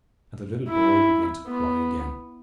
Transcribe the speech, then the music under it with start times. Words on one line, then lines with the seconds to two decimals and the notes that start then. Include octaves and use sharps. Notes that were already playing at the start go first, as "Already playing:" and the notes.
And the little boy began to cry again.
0.69 E4
1.47 B3